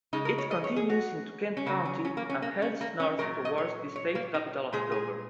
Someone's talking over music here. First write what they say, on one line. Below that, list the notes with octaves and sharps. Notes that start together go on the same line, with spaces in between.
It continues into Kent County and heads north towards the state capital of Dover.
C#3 G#3 D#4
A#4
C#5
D#5
C#5
G#4
F#4
C#4
C#3 F#3 A#3
C#4
C#4
A#3
C#4
A#3
C#4
A#3
C#4
A#2 F#3 A#4
D#5
C#5
C#5
A#3
D#4
A#2 G#3 G#4
G#4